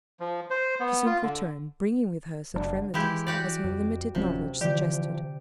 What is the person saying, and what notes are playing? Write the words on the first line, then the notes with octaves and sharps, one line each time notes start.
She soon returned, bringing with her such remedies as her limited knowledge suggested.
F3
C5
B3
F4
D3
F#1 D#3 D4
E3 G#3 E4 G4
F#4 G4 D5
F2
D1 C3 F3 C#4
D3 E3 F3 G4 D5